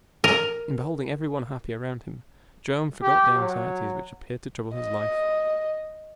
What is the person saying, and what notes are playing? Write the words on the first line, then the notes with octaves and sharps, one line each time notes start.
In beholding every one happy around him, Joam forgot the anxieties which appeared to trouble his life.
A#4
G4
F#3
D#5